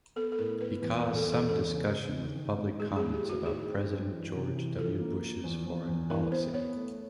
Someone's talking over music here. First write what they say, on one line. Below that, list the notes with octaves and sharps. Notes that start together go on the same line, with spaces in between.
He caused some discussion with public comments about President George W. Bush's foreign policy.
B3 A4
A4
A2 A#4
B3 B4
E2 B4
A#4
E2
A4
E2
A4
C#4 A4
C#3
C#3
D#3
D#3
G#3
A2 G#4
G#4
A2
G4
A2
F#4
D#3 G#4
C4
F#2
E3
C3
E3
F3 A4
A#3
F3
E2
E2
E2
E3 A#4
B3 C5
B3 C#5
A3